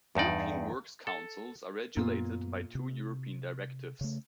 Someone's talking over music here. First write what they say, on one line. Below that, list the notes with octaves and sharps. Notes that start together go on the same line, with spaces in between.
European Works Councils are regulated by two European directives.
E2 G2 D#4 D5
A4
F#2 A#2 B3
C3
C#3 A3